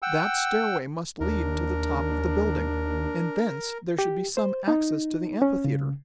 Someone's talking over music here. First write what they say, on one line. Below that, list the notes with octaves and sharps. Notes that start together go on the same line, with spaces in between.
That stairway must lead to the top of the building, and thence there should be some access to the amphitheatre.
F#5 G5 E6
D#2 D4 A#4
G4
C5
D#4
C#4
C#3